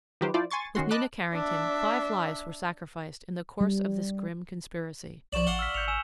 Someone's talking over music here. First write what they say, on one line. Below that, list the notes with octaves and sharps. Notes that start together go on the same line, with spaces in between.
With Nina Carrington, five lives were sacrificed in the course of this grim conspiracy.
D#3 F3 F#3 G4 B4 C5
F3 E4 F4 C5 D5
G#5 C6 C#6 A6
D#3 C#4 F#4 C6
D#5 A5 B5 D6 F#6
D4 E5
G3
B1 F3 D5 C#6 E7 F#7
A1 D5 F5 F#5 G7
E6 F6 B6
G#1 G6 C#7 F7
G#5 E6 E7